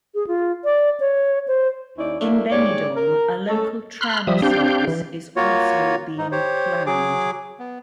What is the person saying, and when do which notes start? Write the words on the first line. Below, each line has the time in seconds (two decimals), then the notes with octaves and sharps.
In Benidorm, a local tram service is also being planned.
0.15 G#4
0.28 F4
0.64 D5
1.00 C#5
1.48 C5
1.98 D#2 C#4 D#4 E4 D5
2.20 F#3 A3 A#3 D4 E4
2.51 G#2 G3 C#5 D5
2.97 A#4
3.49 A3 C#4 A4
4.01 B5 C6 F6 F#6
4.27 F3 G3 E5 D#6
4.42 C4 D4 G4 F5 G6
4.87 E3
5.36 A#3 F4 F#4 C#5
6.18 G#2 D#4
6.32 G4 C5 C#5
6.86 F#3 G#4 D6
7.59 B3